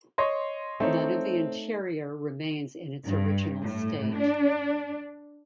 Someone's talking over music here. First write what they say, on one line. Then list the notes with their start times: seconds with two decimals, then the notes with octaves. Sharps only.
None of the interior remains in its original state.
0.18 C#5 D#5 C6
0.80 A3 C4 D#4 C#5
3.05 G2
3.62 A2
4.15 D4